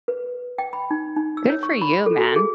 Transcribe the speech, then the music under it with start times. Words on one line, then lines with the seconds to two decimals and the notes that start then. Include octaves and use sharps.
Good for you, man,
0.08 B4
0.58 G5
0.73 B5
0.91 D#4
1.16 D#4
1.37 E6
1.49 C#5
1.63 C#6
1.82 B5
2.06 A4
2.18 F#4
2.36 G#4